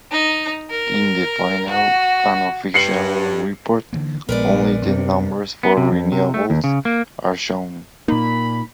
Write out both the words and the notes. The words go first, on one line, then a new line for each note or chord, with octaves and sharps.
In the final and official report only the numbers for renewables are shown.
D#4
A#4
F#4
G2 C7 C#7 F#7
D3 E3 A#3
A#1 G#3 B3 A#4 B4 D5
F#2 C3 B3 C#4
B3
C3
F2
C3
A3
D#2
C#3
A#3
A#2 A#3 D#4 B5